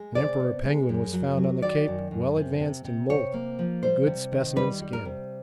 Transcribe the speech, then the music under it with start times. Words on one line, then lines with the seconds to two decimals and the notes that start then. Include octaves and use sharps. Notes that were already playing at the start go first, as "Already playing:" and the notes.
An Emperor penguin was found on the Cape well advanced in moult, a good specimen skin.
Already playing: G#3
0.15 C3 D5
0.40 B3
0.65 G#3
0.89 F#2
1.13 F#3
1.37 F#3
1.62 D#3 D5
1.87 F#2
2.11 F#2
2.37 C3
2.60 C3
2.84 C3
3.09 C3 C#5
3.34 A#3
3.59 F3
3.83 G3 C5
4.07 C3
4.32 D#3
4.56 G3 B4
4.82 G3
4.93 A#4
5.05 C3